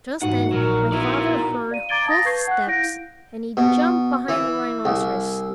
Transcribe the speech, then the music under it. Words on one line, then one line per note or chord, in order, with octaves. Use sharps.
Just then my father heard hoofsteps and he jumped behind the rhinoceros.
G#2 E3 D#4 F#4 F#5
A#1 A#2 F#3 A#4
B3 E4 A#4 D5
D5 F5 D#7
A#5 D6 G#6 A6 D7 G7
F5 A5 D#6 A6 A#6
B4 A5 C#6 G6 G#6 C7
F#5 F#6
E4 F5 G6 A#6 D7
B2
E3
C2